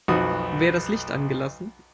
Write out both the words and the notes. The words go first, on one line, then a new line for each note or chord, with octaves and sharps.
Wer das Licht angelassen?
B1 F2 F#4 D#6